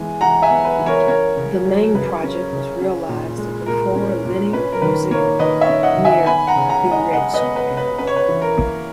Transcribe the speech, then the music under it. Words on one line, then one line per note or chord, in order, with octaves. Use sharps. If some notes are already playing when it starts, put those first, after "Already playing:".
The main project was realised at the former Lenin Museum, near the Red Square.
Already playing: E3 G#3 B3 G#5
E3 F#5 A#5
E5 G#5
B3
B4
E3
A#4 C#5
C#4 A#4 C#5
C#3
F#3
C#3 B4
C#4
C#3
C#4
A#2
G#3
A#2 A#4
C#4
A#2
C#4 B4
A#4
D#3 B4
A#3 A#4 C#5
D#3 B4 D#5
C#5 E5
C#4
D#5 F#5
D#3
E5 G#5
B3 G#5 B5
F#5 A#5
C#3
F#5 A#5
G#3
D#5 F#5
C#3 D#5 F#5
B4 D#5
B3
B4
C#3
B4
C#4 B4
C#5
B4
E3
A#4
A#3